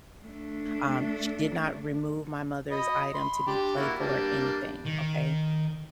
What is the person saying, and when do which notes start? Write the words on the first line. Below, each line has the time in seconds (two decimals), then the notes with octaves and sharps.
Um, she did not remove my mother's item to be playful or anything, okay?
0.25 A3 D4
2.71 D#5 B5
3.14 B5 C6
3.47 D4 G4
3.77 A#3 E4 F#4
4.00 G3 A#3 D4
4.85 D#3